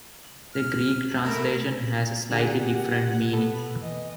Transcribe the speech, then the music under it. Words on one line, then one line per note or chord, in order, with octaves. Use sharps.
The Greek translation has a slightly different meaning.
F6
A3 E4 A#4
D3 D4 G4 G#4 F#5
B2
B3 A4
E3 D#5